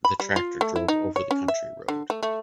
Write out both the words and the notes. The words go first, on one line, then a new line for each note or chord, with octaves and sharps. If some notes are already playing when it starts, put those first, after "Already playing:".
The tractor drove over the country road.
B5
G3
F4
A3
E4
D#4
C#5
C#4
E5
D3
A3
A3